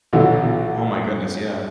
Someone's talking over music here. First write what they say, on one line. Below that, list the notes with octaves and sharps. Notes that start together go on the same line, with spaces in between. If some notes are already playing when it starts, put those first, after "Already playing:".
Oh, my goodness, yeah.
B1 A#2 D3 E3 F#3